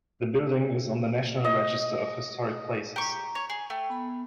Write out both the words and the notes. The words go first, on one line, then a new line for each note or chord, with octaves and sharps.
The building is on the National Register of Historic Places.
D#5
G4 A#5 C#6
C#5
G#4
A3 G5
B3 B5